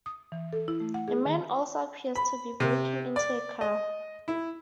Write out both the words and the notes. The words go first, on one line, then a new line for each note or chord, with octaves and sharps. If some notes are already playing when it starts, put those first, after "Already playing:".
A man also appears to be breaking into a car.
D#6
E3
A4
E4
A3
F#5
G#4
D#3
B5
C3
D5
D#5
E4